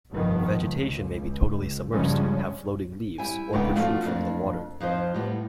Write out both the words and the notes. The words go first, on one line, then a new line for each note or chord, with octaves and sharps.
Vegetation may be totally submersed, have floating leaves, or protrude from the water.
F1 G2 D#3 F3 B3
C#2
G2 C#3 F3 G3 G#3 C#4
G3 E4 G#5
G#2 C#3 A3 B3 D4 G5
F3 A3 C4 D4 F4 F#4
F2 A#3 D4
F2 F3 D#4 C5
A2 G3 B3